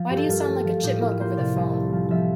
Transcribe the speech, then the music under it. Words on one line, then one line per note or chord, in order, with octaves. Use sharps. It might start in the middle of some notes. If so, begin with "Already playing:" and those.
Why do you sound like a chipmunk over the phone?
Already playing: F3
G2 G4
A4
G2 A#4
A4
A3
F3
A2 G4
E4 A#4
A#3 C5
C3 D5
C2
A3
F3
F3 E5